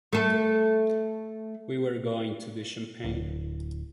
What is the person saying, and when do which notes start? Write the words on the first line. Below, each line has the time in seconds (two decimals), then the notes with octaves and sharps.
We were going to the Champagne.
0.13 A3 A4
3.04 D1